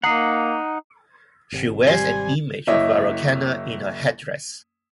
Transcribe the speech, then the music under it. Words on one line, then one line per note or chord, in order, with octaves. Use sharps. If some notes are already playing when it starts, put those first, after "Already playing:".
She wears an image of Vairocana in her headdress.
A#3 D#4 F#5 A#5 D#6 C7
G#1 C3
G3 G#5 C6
F#1 E4 C#5 D#5 E5 D6